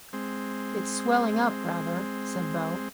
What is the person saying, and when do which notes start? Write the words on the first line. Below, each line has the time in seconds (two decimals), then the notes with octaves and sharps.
"It's swelling up rather," said Beau.
0.13 G#3 C4